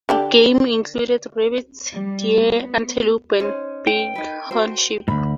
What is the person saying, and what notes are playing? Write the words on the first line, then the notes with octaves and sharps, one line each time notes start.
Game included rabbits, deer, antelope, and bighorn sheep.
D3 D4 G4
G3
B3
C#4 D#4 C5
G5
D#4 B4
F#4 C5
D2 G#2 B5